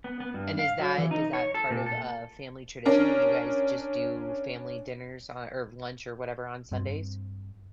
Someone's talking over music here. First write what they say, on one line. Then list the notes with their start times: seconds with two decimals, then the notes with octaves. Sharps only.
And is that is that part of a family tradition that you guys just do family dinners on or lunch or whatever on Sundays?
0.04 B3
0.20 B3
0.34 G2
0.59 F5
0.80 F#3
0.98 E3
1.11 D#4
1.33 C#5
1.54 A4
1.70 A#2
1.86 A4
2.85 C#4 D4 A#4
6.72 G2 C4